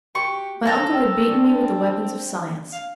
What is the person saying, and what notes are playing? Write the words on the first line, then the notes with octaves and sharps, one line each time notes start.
My uncle had beaten me with the weapons of science.
F#4 G4 C#6
A4 A5 A#5
C4 G5 A5 F6
C#4 D4 D5
F5